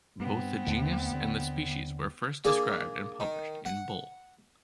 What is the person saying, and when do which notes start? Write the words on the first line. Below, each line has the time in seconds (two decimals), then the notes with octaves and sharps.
Both the genus and the species were first described and published in Bull.
0.20 G2 B3 C4
0.66 D#2 D3 A3
1.12 D#2 D3
2.45 A#3 D4 G#4
3.20 D#3
3.65 F#5